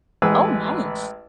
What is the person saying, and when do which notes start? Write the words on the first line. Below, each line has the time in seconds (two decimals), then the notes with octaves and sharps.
oh, nice.
0.22 A1 G#3 G#4 B4 E6